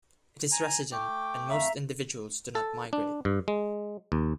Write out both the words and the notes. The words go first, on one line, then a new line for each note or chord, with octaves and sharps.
It is resident, and most individuals do not migrate.
G#5 A#5
A3 G5 D6
F2 A3 E5 F5 A#5
A4
D4
G2
G#3
D#2